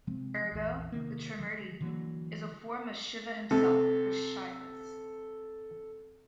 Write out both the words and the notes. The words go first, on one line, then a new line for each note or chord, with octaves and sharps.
Ergo, the Trimurti is a form of Shiva Himself for Shaivas.
C3 F3 G#3 C4
A#1 E2
C3 D#3 A#3
D3 F3 G#3
D3 E3 F#3 A#3
C3 A4